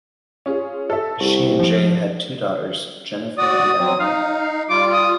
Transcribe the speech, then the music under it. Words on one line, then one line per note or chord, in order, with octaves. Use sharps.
She and Jay had two daughters, Jennifer and Emily.
C#4 F4 G#4
A4 E5
C2 C#6
F3
F#4 D5 D#6
F#3 C4
D#4 F5
G3 F4 D6
D#6